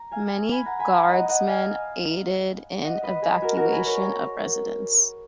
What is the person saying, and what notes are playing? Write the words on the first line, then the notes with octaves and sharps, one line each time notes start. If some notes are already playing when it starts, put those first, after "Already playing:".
Many guardsmen aided in evacuation of residents.
Already playing: A#5
F5 G#5
G#5 B5
F#5 A#5
G#5 B5
F#5 A#5
D#5 F#5
D#5 F#5
F5 G#5
D#5 F#5
B4 D#5
G#4 B4
F#4 A#4
F#4 A#4
G#4 B4
A#4 C#5